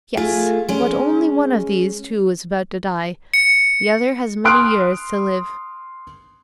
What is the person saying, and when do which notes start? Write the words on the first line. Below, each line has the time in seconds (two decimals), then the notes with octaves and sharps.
"Yes; but only one of these two is about to die; the other has many years to live."
0.17 A3 F4 G#4
0.69 G#3 C#4
3.34 C#7
4.45 C6 D#6 F6 F#6 D7